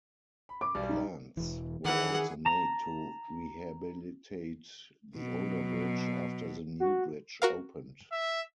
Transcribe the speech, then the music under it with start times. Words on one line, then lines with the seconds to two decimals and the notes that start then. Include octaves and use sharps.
Plans were also made to rehabilitate the older bridge after the new bridge opened.
0.49 B5
0.61 D6
0.75 B1 G3 D5
0.89 D#4
1.37 E1 E3
1.85 D#3 E3 G#4 F#5
2.45 A5 A#5
5.16 B2 F#3
6.80 F#4
7.42 F#4 A#4 F5
8.12 E5